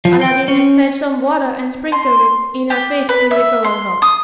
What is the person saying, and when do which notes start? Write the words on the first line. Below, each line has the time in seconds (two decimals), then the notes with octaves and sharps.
Aladdin had fetched some water, and sprinkled it in her face to recover her.
0.05 F3
0.21 G5
0.48 C#4
1.92 C6
2.70 G4
3.09 B4
3.31 E5
3.64 C6
4.02 D#6